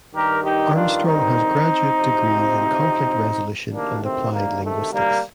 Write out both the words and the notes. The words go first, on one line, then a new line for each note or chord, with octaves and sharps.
Armstrong has graduate degrees in Conflict Resolution and Applied Linguistics.
G2 D#3 G4 A#4
D#4 G4
D4 F4
C4 D#4
D2 C3 F3
D2 C3 D#3 A#3 D4
A3 C4
G3 A#3
A3
G3 A#3